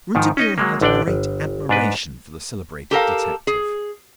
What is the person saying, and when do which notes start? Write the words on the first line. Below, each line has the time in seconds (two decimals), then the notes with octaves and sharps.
Rouletabille had a great admiration for the celebrated detective.
0.15 G#2 D#3 F3
0.37 C#4 D#4 D#5
0.58 F#3 G#3 A#3
0.81 A1 D3 D4 D5 G5
1.08 G1
1.69 G#2 D4 B4
2.91 G4 A4 A#4 F5
3.47 G#4